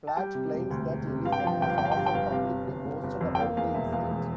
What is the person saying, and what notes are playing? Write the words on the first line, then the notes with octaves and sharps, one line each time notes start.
Platt claims that Ellison has often publicly boasted about the incident.
A5
G3 G5
C3
E1
D2
E1
C3
G2 F5
G5
F5
F3 G5
F5
G1 G5
F5
G1 G5
F5
G5
G2 F5
G5
G1 F5
C3 F5
C3
G1
G1
G1
F2
G5
A#3 F5
E2 F5
E1 E5
E2 F5
E1